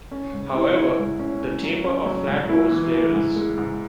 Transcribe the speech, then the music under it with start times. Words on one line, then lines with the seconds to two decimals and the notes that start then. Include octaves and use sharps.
However, the taper of flatbows varies.
0.11 C#4
0.33 G#2
0.55 E4
0.76 E4
0.98 G#2
1.19 C#4
1.41 C#4
1.63 F#3
1.84 C#4
2.06 F#3
2.28 G#2
2.49 E4
2.71 E3
2.93 E3
3.15 G#2
3.36 G#3
3.58 G#2